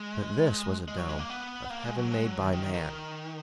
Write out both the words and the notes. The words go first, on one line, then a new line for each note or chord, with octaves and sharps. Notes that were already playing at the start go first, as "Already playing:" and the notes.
But this was a dome of heaven made by man.
Already playing: G#3
G#3
F#3
G#3
A#3
B3
A#3
G#3
F#3
G#3
F#3
D#3
D#3
D#3